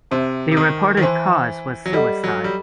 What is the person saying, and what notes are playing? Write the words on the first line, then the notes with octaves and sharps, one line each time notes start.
The reported cause was suicide.
C3 C5 E5 A5 C6
C3
D#3
D#3
E3 C5 E5 A5 C6
F#3
G3 A4 D#5 F#5
F#3
G3